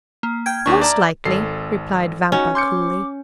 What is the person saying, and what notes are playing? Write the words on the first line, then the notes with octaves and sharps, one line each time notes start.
"Most likely," replied Vampa coolly.
A#3
G5 F6 G6 G#6
D#2 D4 C#6
D5 E5 A5 A#5
G#1 A4 C7
C#4 D#4 F#4
C6 D6 G6 C#7